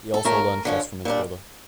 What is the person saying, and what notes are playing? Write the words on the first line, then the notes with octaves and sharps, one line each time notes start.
He also learned chess from his brother.
A4
A#2 A3 C#4 A#4
D3 F3 C#4
A#2 G3 D4